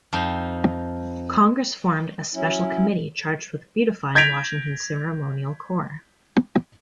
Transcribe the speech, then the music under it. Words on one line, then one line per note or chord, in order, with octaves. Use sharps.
Congress formed a special committee charged with beautifying Washington's ceremonial core.
F2 F3 D#4
F#3 C#4 E4
G6 G#6 A#6 B6 D7 F7